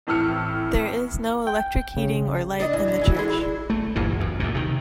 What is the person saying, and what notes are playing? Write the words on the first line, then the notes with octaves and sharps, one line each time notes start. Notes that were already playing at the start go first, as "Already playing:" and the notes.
There is no electric heating or light in the church.
F2 A2 E3 E6 F6 C#7
G5
C#3
D4 D5 D#5
E3
D3
E3 E4 F#4
D3 E3 G#3
E4
A3
G1 D2 A#2 E3
F#2
D2 A#2
C3 D#3